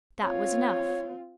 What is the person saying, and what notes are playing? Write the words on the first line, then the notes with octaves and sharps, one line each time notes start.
That was enough.
C4 F4 C#5